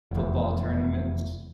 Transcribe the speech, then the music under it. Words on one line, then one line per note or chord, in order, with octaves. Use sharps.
football tournaments.
F1 E2